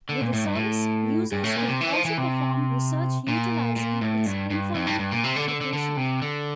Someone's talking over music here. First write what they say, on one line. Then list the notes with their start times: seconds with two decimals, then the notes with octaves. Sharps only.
With the service, users could also perform research utilizing its InfoLink application.
0.09 D3
0.21 A#2
0.33 A2
0.45 G2
0.56 A2
1.32 G2
1.44 A2
1.56 A#2
1.68 C3
1.81 E3
1.93 F3
2.05 E3
2.18 C3
3.28 A#2
3.76 A#2
4.01 A2
4.26 G2
4.50 G2
4.75 F2
4.87 G2
4.99 G2
5.12 A#2
5.24 C3
5.36 D3
5.48 D3
5.61 D3
5.73 D3
5.97 C3
6.22 D3